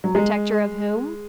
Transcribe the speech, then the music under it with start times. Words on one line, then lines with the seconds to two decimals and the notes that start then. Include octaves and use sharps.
Protector of whom?
0.04 F#3
0.15 G#3